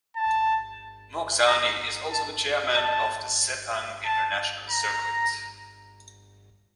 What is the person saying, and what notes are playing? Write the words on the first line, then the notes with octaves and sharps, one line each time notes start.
Mokhzani is also the chairman of the Sepang International Circuit.
A5
A#5
A5
A5
A5
A#5